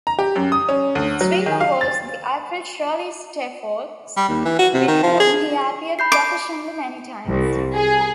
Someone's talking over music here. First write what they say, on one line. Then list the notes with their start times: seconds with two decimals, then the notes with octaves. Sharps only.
His widow was the actress Shirley Stelfox, with whom he appeared professionally many times.
0.07 A#5
0.19 G4
0.36 F#2
0.52 D#6
0.69 C#4
0.95 D2
1.21 F#3
1.46 D#3
1.60 F5
1.81 A6
4.17 G3
4.28 D#2
4.45 E3
4.59 F#4
4.74 C3
4.87 D#3
5.03 F3
5.20 G#4
5.99 B5 G6 C7
6.12 D6
7.28 C2
7.75 G#4